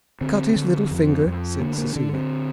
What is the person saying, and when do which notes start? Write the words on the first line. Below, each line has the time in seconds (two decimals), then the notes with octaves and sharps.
"Cut his little finger," said Cecilia.
0.21 D3 C4
0.56 D3
0.91 F2
1.26 F2
1.60 D3 A#3
1.78 A#3
1.96 D3 D4
2.13 C4